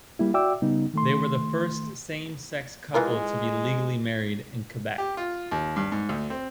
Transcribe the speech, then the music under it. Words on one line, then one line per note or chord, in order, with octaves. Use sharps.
They were the first same-sex couple to be legally married in Quebec.
G3 A#3 E4
F#4 D5 E5 G5 D6 E6
C#3 G3 B3 D#4
D#3 A3 C6
E3 G#3 F4 A#4
G4
F4
D#2
G2
G#2
D2
C4